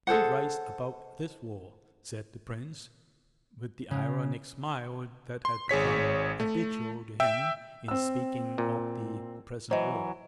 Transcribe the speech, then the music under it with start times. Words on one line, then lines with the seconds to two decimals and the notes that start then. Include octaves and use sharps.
"He writes about this war," said the prince, with the ironic smile that had become habitual to him in speaking of the present war.
0.07 G#4 A4 C5 F#5
3.91 C#3
5.45 C6
5.69 G#1 G#4 C#5 B6
6.40 A3
7.20 E5 G5 E6
7.88 C4 E6
8.58 A#2
9.71 E3 F#3 C5 D#5